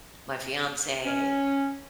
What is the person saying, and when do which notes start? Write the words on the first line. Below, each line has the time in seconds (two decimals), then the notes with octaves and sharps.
my fiance.
1.05 C#4